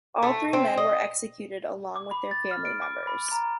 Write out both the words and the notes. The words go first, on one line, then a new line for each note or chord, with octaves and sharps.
All three men were executed along with their family members.
A3
C4
D#5
D6
B5
A6
F6
D7
D6
B5
A#5